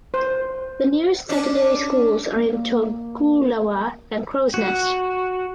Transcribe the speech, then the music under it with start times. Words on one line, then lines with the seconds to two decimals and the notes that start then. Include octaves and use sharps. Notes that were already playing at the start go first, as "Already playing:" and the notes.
The nearest secondary schools are in Toogoolawah and Crows Nest.
0.14 C5
1.29 C#4 D4
2.36 A#3
4.54 F#4